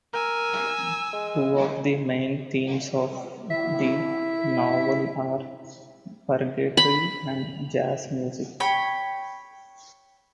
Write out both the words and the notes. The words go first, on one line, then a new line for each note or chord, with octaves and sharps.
Two of the main themes of the novel are purgatory and jazz music.
A#4 G#5 E6
G#3
E4 E5
B5
C#5 G5 B5